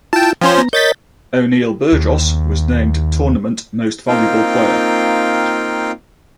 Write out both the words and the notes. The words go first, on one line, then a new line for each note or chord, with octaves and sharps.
O’Neill Burgos was named Tournament Most Valuable Player.
E4 F4 G5 A5
F3 C#4 C5 F5 G5
B3 A#5
A#4 C#5 D#5 G6 A6 B6
D#2
A#3 C4 D#4 F4 F5 G5